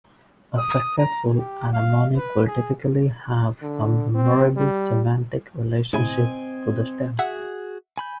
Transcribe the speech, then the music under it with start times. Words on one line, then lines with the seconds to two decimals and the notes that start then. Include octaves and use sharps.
A successful anamonic will typically have some memorable semantic relationship to the stem.
0.58 D#6
0.98 A#5
1.38 G4
1.73 F5
2.16 B4
2.46 G#4
3.62 D3
4.14 C4
4.57 G3
5.93 A2 C#3 C4 E4 D#5 G#5
7.19 F#4 G#4 E5 F#5
7.98 G#5 B5 G6